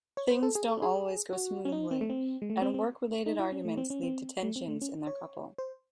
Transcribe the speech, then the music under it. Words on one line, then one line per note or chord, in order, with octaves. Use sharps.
Things don't always go smoothly and work-related arguments lead to tensions in their couple.
C#5
C5
A4
G#4
A4
G#4
F#4
C#4
D#4
C4
A3
C4
G#3
A3
C4
C4
D#4
E4
C#4
A3
C4
C#4
C4
A3
C4
A3
C#4
C#5
C5